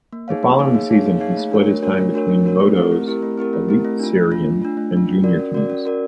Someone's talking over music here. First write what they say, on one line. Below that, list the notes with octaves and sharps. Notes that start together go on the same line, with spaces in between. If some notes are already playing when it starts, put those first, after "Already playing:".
The following season, he split his time between Modo's Elitserien and junior teams.
A#3
D#4 G#4 C#5 F5
A#3
D#4 G#4 C#5 F5
A#3
D#4 G#4 C#5 F5
A#3
D#4 G#4 C#5 F5
A3
D4 F#4 A#4 C#5
A3
D4 F#4 A#4 C#5
A3
D4 F#4 A#4 C#5
A3
D4 F#4 A#4 C#5
A3
C4 E4 G4 A#4
A3
C4 E4 G4 A#4
A3
C4 E4 G4 A#4
A3
C4 E4 G4 A#4
A3
D4 F4
A3
D4 F4
A3
D4 F4
A3
D4 F4
C#4
F#4 A#4 D5
C#4
F#4 A#4 D5
C#4
F#4 A#4 D5